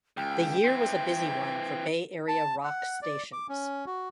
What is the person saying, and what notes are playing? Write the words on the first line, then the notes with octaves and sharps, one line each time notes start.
The year was a busy one for Bay Area rock stations.
C#2 G5
E3 C4
A5
F#5
D5
D6
C#4
F#4